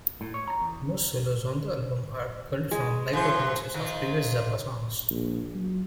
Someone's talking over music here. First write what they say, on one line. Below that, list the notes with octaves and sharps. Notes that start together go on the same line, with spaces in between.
Most solos on the album are culled from live performances of previous Zappa songs.
A2
C#5
A#5
E2
G#3
E3 F#3 C5
D#3 F3
A#1
F#3